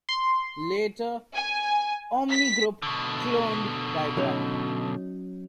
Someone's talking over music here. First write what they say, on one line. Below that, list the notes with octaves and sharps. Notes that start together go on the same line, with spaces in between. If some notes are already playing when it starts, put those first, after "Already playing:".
Later, OmniGroup cloned Diagram!
C6
G#5
B6
B2 D3
F#3 C#4 D#4